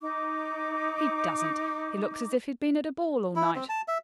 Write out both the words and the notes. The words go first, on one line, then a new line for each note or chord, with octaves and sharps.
He doesn't; he looks as if he'd been at a ball all night.
D#4 D6
E4
C4
A5
E5